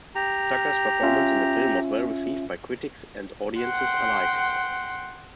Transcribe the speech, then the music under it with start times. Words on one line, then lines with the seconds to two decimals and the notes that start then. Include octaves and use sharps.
Tucker's performance in the film was well received by critics and audiences alike.
0.15 G4 A#5
1.03 C#4 F4 E5
3.60 F#5 G5 C6